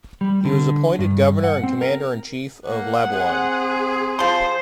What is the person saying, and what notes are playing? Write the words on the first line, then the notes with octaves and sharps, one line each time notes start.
He was appointed governor and commander-in-chief of Labuan.
G3
D3
G2
F#5
C4
A#4
A#3 F#5
C4 G#4
F3 C5 C6